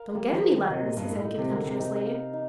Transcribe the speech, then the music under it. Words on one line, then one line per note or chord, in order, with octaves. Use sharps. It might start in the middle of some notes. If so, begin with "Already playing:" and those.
"Don't get any letters," he said contemptuously.
Already playing: A#4 F5
G3 A#3
F3
A#4
D#3
C3 D#5
A#2
G2 D#5
A2
A2 D#4
C3
D3 A#4
C3
C3 D#4
F5
D#4